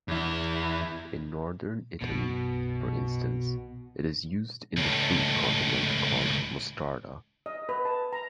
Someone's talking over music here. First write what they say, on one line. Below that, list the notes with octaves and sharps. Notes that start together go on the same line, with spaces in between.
In northern Italy, for instance, it is used in the fruit condiment called "mostarda".
E2 E4
B1 F#2 B2
C#2 A2
D#5
B4
A5
A#5